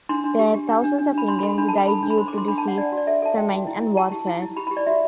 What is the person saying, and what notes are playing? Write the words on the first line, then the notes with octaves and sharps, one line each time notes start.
There, thousands of Indians died due to disease, famine and warfare.
D4 C6
D4
G4
G4
D4
D4
D4
D4 B5
D4 C6
B5
A4 C6
D4 B5
A5
A4 B5
A4 B5
D4
B5
C5 C6
D6
A4 C6
D4 B5
A5
D4
F#5
D4 D5
F#4
D5
A4 E5
A4 A5
F#4 G5
F#4
E4
E4
G4 A5
G4
E4
E4
G4 B5
B5
G4
D5
F#4 E5